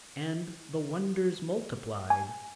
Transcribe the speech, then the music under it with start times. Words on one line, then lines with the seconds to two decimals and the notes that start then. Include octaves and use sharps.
And the wonders multiplied.
2.10 G#5